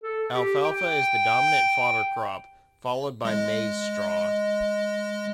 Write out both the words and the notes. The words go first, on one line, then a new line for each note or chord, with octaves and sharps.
Alfalfa is the dominant fodder crop, followed by maize straw.
A4
G4
G5
G#3 D#5